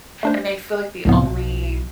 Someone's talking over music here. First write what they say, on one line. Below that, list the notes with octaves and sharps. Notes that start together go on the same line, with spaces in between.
and they feel like the only
A3 D4 C5
C#2 A2 C3 F3 G3 B3
B1 B2